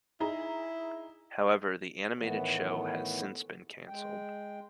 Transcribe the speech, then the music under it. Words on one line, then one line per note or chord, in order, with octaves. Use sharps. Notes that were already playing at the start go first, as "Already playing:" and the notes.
However, the animated show has since been cancelled.
D#4 E4 G#4 A#5
A2 D#3 E3 A3 B3
G#3 G5